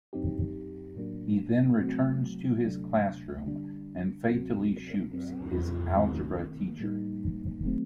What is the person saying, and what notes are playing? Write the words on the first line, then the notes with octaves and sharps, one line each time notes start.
He then returns to his classroom and fatally shoots his algebra teacher.
F#2 F#3 C4 D#4 G4
A2 F#3 A#3 D4
C3 F#3 A3 C4 F#4
D2 C3 F#3 A3 D4
D3 G3 D4
D2 C3 F#3 C4 F#4
F#2 F#3 C4
D#3 A3 C4
A2 G3 A#3 D#4
D#3 F#3 A3 C4